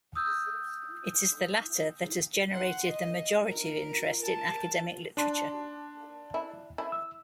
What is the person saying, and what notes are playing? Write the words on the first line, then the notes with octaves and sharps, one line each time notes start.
It is the latter that has generated the majority of interest in academic literature.
D#6 E6 G6
F#5 C6
D#5
A#4
A#4 A5
D4 A5 C6
E4
E4
E6